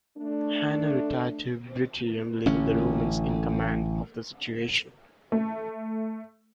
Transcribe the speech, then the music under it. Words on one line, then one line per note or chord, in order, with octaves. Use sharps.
Hanno retired to Bruttium, leaving the Romans in command of the situation.
A3 D4
A1 D3 C#4
A3